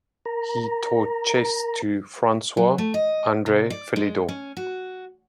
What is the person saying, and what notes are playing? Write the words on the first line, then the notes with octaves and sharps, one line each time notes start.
He taught chess to François-André Philidor.
A#4 A#5
F#3
A3
D#5
C3
D5
G#3
C#4
F#4